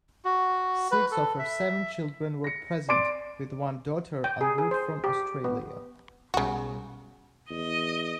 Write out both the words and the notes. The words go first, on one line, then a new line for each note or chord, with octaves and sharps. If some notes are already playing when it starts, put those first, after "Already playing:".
Six of her seven children were present, with one daughter en route from Australia.
F#4
B4
A4
E5
A#6 C#7
D5 C6 D6 A6 D7
G5
G#4
G#4
C5
G4
B3
B1 C#3 G3 F#4
E2 D#5